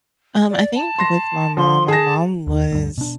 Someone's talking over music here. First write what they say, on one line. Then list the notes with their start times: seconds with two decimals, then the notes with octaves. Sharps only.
Um, I think with my mom my mom was
0.49 D5
0.75 A5
0.98 C6 A#6
1.57 F3 C6
1.88 G#4 A5 A#6
2.47 D#2 D#3
2.72 D2 G2
2.98 B2 D4